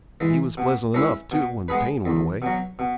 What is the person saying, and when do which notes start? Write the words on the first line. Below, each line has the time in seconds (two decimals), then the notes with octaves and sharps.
He was pleasant enough, too, when the pain went away.
0.20 E3 G#3
0.57 B2
0.94 G#3 C#4 E4 B4
1.31 B2
1.68 G#3 B3 G#4 B4
2.05 E2
2.42 B2 F#3
2.79 B2